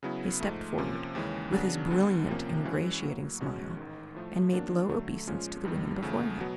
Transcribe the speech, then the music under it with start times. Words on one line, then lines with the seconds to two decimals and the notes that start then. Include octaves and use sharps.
He stepped forward, with his brilliant ingratiating smile, and made low obeisance to the women before him.
0.03 C#3 F#3 B3 E4
0.41 G#2 F3 A3
0.78 C3 F3 A#3 C#4
1.15 D#2 C#3 E3 G#3 C#4
1.52 C#3 F#3 B3 D4
1.90 D2 D3 G3 B3
2.28 C2 C3 F3 A#3 C#4
2.65 G2 E3 G#3 C#4 F#4
3.03 A2 F#3 A#3
3.40 B1 B2 G#3 C#4 F#4
3.77 A1 G#2 D#3
4.15 A2 F3 A3
4.52 D#3 F#3 A#3 D4
4.89 D3 F#3 A3
5.27 A#2 F3 G#3 C#4 F4
5.65 G#1 G2 D#3 G3
6.02 E2 C#3 F3 A3
6.40 B2 F#3 B3